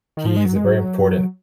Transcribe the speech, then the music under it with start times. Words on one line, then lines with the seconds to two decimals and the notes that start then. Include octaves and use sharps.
he's a very important
0.17 D#3
0.26 F3
0.37 G#3
0.45 F#3
0.56 G#3
0.65 F#3